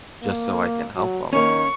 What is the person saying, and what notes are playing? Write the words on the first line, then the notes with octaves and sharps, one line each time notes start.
just so I can help 'em.
A#3
F#3
D#3 A#3 C#4 C#6